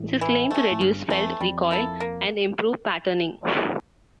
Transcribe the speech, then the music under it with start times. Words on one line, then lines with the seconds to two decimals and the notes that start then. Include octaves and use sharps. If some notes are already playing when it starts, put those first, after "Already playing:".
This is claimed to reduce felt recoil and improve patterning.
Already playing: A1 A2
0.21 E3
0.51 A3 C#4
0.72 A2
0.80 G1 G2 C#3
1.10 F2 E3 A3
1.41 F2 G3
1.71 A#3 E4 A4
2.00 A#3